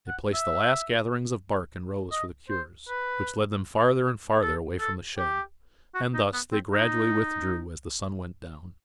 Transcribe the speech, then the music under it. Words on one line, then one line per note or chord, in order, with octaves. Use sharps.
They placed the last gatherings of bark in rows for the curers, which led them farther and farther away from the shed; and thus they gradually withdrew as the sun went down.
F#5
E5
D#5
C5
B4
A4
A4
G4
F#4
D#4
B3
C4
D#4